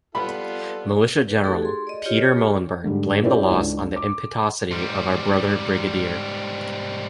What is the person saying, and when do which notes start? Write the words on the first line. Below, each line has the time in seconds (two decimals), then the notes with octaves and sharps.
Militia general Peter Muhlenberg blamed the loss on the impetuosity of our brother Brigadier.
0.15 G3 B3 F4 A4 B5
1.28 B4
1.44 A3 D#4 F#4 G4 A4
1.62 G#4 C6
1.87 D5 D#5
2.05 F4 G4 C#5 D#5
2.84 G#2 D3 G3
3.24 C#4 E4 G4 B4 C#5 D5
3.51 C#2 D4
3.96 D6
4.71 G#2 G3